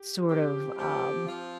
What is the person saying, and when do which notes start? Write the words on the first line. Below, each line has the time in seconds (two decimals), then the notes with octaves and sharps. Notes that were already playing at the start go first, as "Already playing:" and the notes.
sort of, um,
Already playing: G4
0.27 F3 C4 G4
0.77 F3 C4 G4
1.27 F3 C4 F4